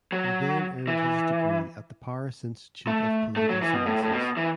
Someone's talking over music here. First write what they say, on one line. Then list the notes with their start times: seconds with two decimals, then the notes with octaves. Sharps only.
He then earned his degree at the Paris Institute of Political Sciences.
0.12 F#3
0.87 E3
2.87 A3
3.36 A3
3.49 F#3
3.62 E3
3.74 B2
3.86 A2
4.03 A2
4.11 B2
4.37 E3